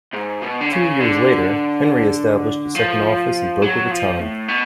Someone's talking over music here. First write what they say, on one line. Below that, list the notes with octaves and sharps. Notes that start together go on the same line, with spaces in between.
Two years later, Henry established a second office in Boca Raton.
G#2
B2
D3
C#3
D3
F3
F#3
F3
A2
B2